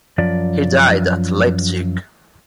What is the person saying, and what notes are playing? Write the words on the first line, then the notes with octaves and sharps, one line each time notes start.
He died at Leipzig.
F#2 F3 D5